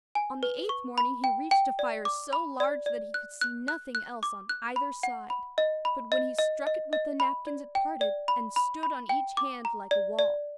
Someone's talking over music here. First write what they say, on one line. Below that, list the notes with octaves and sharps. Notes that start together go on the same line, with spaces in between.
On the eighth morning he reached a fire so large that he could see nothing else on either side, but when he struck it with the napkins it parted, and stood on each hand like a wall.
G#5
B4
C#6
B5
G5
G5
D5
D6
B5
D5
D5
F#6
F#6
F#6
F#6
D6
F#6
B5
F#5
B5
D#5
B5
D#5
D#5
D#5
D#5
B5
D5
G5
D5
B5
B5
B5
G5
D6
A#5
D5
D5